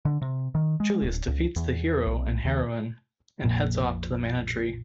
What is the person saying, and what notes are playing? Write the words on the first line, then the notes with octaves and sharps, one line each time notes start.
Julius defeats the hero and heroine, and heads off to the Mana Tree.
D3
C3
D#3
G#3
D1
C#2
E2
B1
D#2
A#1 F2 A#2